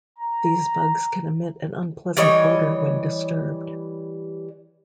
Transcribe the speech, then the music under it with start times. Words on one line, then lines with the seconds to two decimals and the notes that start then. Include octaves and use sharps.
These bugs can emit an unpleasant odor when disturbed.
0.19 A#5
2.17 E3 G3 C#5 D#5